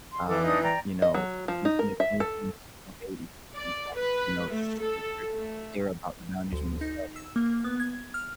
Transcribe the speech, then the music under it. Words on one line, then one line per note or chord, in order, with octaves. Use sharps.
um, you know, taking advantage in some way if you aren't, you know, sh strictly clear about the boundaries you've set and
C6
E3 A4 D6
D4 D#4 D#6
D5 G5 A#5
D#5
F#3
F3
D#4
A#4
E5
A4
D5
B4
A3
A4
A3
D2
D#4
E6
A#3
B3
G#6
F6